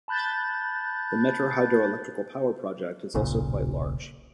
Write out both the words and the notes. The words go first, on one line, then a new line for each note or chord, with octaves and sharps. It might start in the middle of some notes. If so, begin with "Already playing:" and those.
The Mettur Hydro Electrical power project is also quite large.
A5 B5 F#6 G6 A6
D#1 B1 A#2 C#3